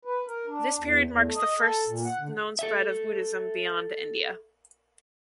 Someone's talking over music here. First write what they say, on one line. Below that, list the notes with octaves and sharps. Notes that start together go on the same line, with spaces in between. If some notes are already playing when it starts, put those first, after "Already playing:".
This period marks the first known spread of Buddhism beyond India.
B4
A#4
D4
E2
E2
A3
D#5
A4
A#2
F#5
D3
A4 E5